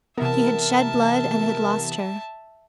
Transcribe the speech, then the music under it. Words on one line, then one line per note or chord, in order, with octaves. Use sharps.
He had shed blood and had lost her.
C3 E3 B3 A#4 E5 A5